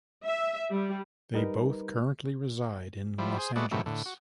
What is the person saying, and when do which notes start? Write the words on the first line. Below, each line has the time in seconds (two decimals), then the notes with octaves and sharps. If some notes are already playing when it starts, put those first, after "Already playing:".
They both currently reside in Los Angeles.
0.24 E5
0.70 G3
1.34 G3 D#4 A#4 B4
3.18 F3 G3 E4
3.38 G#4 C5
3.56 G#3 A3 B3 F#4 D5
3.71 A2 C3 D#3 E3 F#3 A3
3.86 A2 D3
4.06 F#4